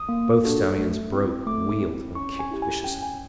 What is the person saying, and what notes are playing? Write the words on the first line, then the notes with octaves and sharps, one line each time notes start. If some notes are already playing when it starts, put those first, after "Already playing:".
Both stallions broke, wheeled and kicked viciously.
Already playing: D#6
A#3
D4 F#4 A4
A3
C4 E4
A3 D6
C4 E4
C#4 C#6
G#5
E4 G4
G#5
C#4 G5
G#5